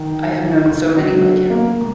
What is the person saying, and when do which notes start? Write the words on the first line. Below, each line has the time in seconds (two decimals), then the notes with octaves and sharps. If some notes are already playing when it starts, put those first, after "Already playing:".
I have known so many like him.
Already playing: D#3
0.97 F#3
1.50 A#3